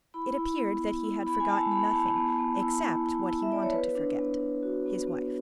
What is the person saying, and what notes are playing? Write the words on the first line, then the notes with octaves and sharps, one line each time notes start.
It appeared that he had forgotten nothing except what he wanted to forget--his wife.
E4 B5
E4
B3
B3
E4
E4 B5
G#5
E4 A5
B3 B5
E4 A5
B3
B3
E4
E4
E4
E4
E5
E4 D5
C#5
B3 B4
D4
B3
D4
F#4
B3
B3